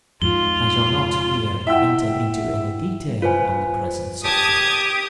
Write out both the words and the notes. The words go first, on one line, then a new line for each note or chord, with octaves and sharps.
I shall not here enter into any detail on the present subject.
F2 G#2 F4 G7
E4 E5 F#5 G5 E6
F4 B4 C5 G#5
G4 A5 D#6 G#6